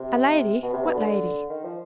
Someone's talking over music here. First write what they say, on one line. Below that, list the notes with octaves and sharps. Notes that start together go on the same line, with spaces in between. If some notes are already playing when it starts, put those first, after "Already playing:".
"A lady--what lady?"
Already playing: C3
B2
C3
B2
D3
D#3
F3